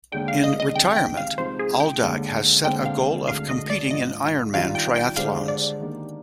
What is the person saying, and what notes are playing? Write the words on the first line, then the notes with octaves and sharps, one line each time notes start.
In "retirement", Aldag has set a goal of competing in Ironman triathlons.
D#2 D3 G#3 D4 G5
F5
D#5
D#5
C2 C3 D#3 G#3 G5
G5
F5
C3 F3 G#3 D#4 C5
G#4
G5
D#2 D3 G#3
D#2 D3 G#3 C4 G5
F5
D2 D3 G#3 F5
D#5
D5
G#2 F3 A#3 D4 D#5
D#3 G3 D4 F4 F5
G5
G5
D3 G#3 D4 G4 C5 F5
D5
D#3 A#3 D4 G4